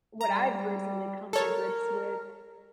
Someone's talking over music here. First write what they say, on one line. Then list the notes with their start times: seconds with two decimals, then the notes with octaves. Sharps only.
what I've recently come to grips with,
0.21 G3 A#5
1.33 A4 A#4 C#5